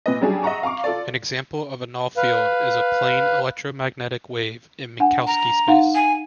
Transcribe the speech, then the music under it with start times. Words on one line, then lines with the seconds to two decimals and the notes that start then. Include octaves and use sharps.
An example of a null field is a plane electromagnetic wave in Minkowski space.
0.06 A#2 B4 D#5
0.21 F#3 G3 C#4 D4 G4 G#4
0.43 D#5 E5 F#5 A#5 C#6
0.63 F5 A#5 C#6 D6
0.84 F4 A4 D5
2.17 B4 F5
5.00 D4 F#5 G#5
5.27 A#5
5.68 D#4 F5 F#5
5.95 G#5